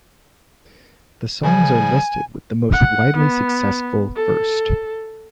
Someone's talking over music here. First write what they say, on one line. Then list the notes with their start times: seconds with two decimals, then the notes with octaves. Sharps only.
The songs are listed with the most widely successful first.
1.43 C#3 F3 G3 G#5
2.73 F#5
3.17 B3
4.16 A4